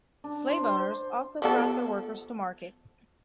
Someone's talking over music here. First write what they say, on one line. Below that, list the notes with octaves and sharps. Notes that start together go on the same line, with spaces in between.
Slaveowners also brought their workers to market.
D4
C5
C5
F3 B3 A4